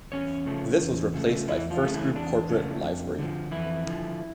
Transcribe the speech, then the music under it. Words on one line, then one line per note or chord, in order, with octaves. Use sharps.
This was replaced by FirstGroup corporate livery.
E2 C#4 C#5
C#3 F3 A3
E2
C#3 F3 A3
E2 E3 E4
F3 F4
C#3 F3 A3
E3 E4
E2 D4
C#3 F3 A3
F2
D3 F3
F2 E3 E4
D3 F3